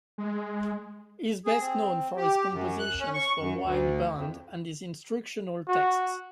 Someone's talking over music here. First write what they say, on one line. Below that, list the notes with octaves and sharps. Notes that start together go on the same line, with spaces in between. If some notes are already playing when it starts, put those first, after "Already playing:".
He is best known for his compositions for wind band and his instructional texts.
G#3
G#4
C4
G4
F#2
F#6
C#4
C#6
F#2
D2
F2
F#4